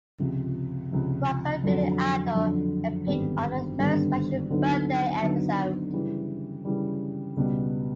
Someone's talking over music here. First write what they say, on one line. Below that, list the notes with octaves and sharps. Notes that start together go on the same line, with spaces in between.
Rocker Billy Idol appeared on a very special birthday episode.
C#2 C3 F3
C#2 C3 F3
F2 D3 F#3
F2 D3 F#3
G#1 G2 D3 G3 B3
G#1 G2 D3 G3 B3
D2 D3 F#3 B3 D#4
D2 D3 F#3 B3 D#4
C#3 E3 G3
C#3 E3 G3
C#2 B2 G3 B3